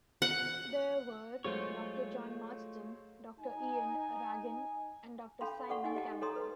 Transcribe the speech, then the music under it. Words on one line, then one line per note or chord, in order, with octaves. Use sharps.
They were: Doctor John Marsden, Doctor Ian Ragan and Doctor Simon Campbell.
F#5
F#3 G#3 A3 F4 C5 C#5
D#4 G#5
C#4 D4 A4 F5 B5 C6
F#4 A4 D5 F#5 C#6
D4 D#4 D#5 G#5
G4 D#5 A5
A4 C#5 D#5 A#5 C6 D#6
A4 B4